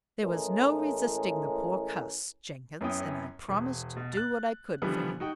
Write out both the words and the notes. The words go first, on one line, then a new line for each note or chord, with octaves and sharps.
"There was no resisting the poor cuss, Jenkins, and I promised to do what I could for him."
A2 E3 G#3 C#4 A#4
F#2 B3 C#4 E4 G5 D#6
E1
B2
F#6 A6
D3 E3 F3 G3 B3
D#4 F#4 G5